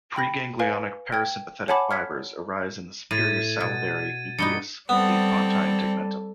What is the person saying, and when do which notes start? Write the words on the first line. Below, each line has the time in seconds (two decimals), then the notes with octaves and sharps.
Preganglionic parasympathetic fibres arise in the superior salivary nucleus of the pontine tegmentum.
0.16 G5 B5 A#6
0.60 B4 F5 G#5
1.12 G5 G#6
1.68 C#5 F#5 G#5 A5 B5 D6
1.91 F6 G#6 B6
3.11 A2 G#6 A6 D#7
3.60 B2
4.38 G2 B3 D#4 C#7 G7
4.89 G3 B3 C4 A4